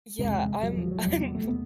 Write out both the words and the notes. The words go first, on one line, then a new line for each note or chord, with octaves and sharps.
Yeah, I'm I'm
E2 C3 G#3
F#3
F3
F#3
E2 C3 G3
B3
A3
B3